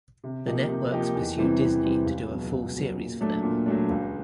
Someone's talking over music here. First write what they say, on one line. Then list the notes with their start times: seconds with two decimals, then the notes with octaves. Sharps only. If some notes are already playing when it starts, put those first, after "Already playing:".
The networks pursued Disney to do a full series for them.
0.24 C3
0.47 F3 A#3 D#4 G4
0.68 C3
0.92 F3 A#3 D#4 G4
1.15 E2
1.37 C3 E3 G3 C4
1.60 E2
1.84 C3 E3 G3 C4
2.06 C#2
2.28 B2 F#3
2.51 C#2
2.74 B2 F#3
2.98 A#2
3.21 F#3 A3 D4
3.42 A#2
3.66 F#3 A3 D4
3.89 C#2